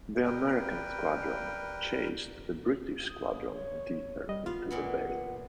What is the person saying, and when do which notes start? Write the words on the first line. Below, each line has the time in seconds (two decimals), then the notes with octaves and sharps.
The American squadron chased the British squadron deeper into the bay.
0.25 G3 A#4 B4 G5
3.08 D#6
3.51 C#5
4.29 G3 D#5
4.46 B3 F4 F5
4.71 A#2 E3 B3 F#5